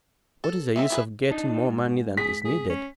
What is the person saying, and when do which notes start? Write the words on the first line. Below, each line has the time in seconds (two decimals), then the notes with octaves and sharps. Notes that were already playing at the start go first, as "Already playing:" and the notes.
What is the use of getting more money than is needed?
0.44 A4
0.76 G#3 A#3 C4 E5
0.90 E4 G#4 B4
1.31 D4 D#4
1.69 G#2
2.17 G#4 B6
2.45 G#4
2.70 C#4